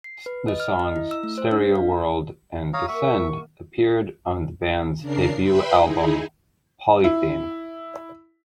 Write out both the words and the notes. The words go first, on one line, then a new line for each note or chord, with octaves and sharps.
The songs "Stereo World" and "Descend" appeared on the band's debut album "Polythene".
C7
B4
D#5
F6
D#5
E4
E6
A3
C5
D4
F5
G4 C#5 D5 E5 F5 A#5 D#6
A#2 A#3 E5 F#5 C#6
C#3 D4 A#4 C7
B4 E5 G5 B5 C6
D#4 E4 G#4
E4